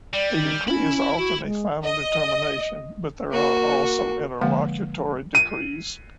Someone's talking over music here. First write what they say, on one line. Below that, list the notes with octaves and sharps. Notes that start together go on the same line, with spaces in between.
A decree is often a final determination, but there are also interlocutory decrees.
G3 D5
D#3
C#4 E4 B5
F#4
G#3
D#5
A#3 F#4
D3 F3 G#3 A#3 F5 F#5
D#7